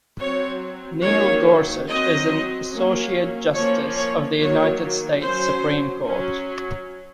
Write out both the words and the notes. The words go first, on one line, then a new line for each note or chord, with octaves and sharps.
Neil Gorsuch is an Associate Justice of the United States Supreme Court.
F#3 C4 C#5
D#3 F#3 A#3 C#4 C#5
F#3 C4 D#5
F#3 A#3 C#4
F3 A#3 C#4 C#5
C#5
D#3 F#3 A#3 C#5
F#3 C#4 C5
F#3 C#4